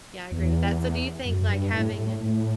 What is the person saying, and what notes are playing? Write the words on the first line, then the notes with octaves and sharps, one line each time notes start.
Yeah, I agree with that. So do you think, like, having
E2
F#2
F#2
G2
A2
A2
A2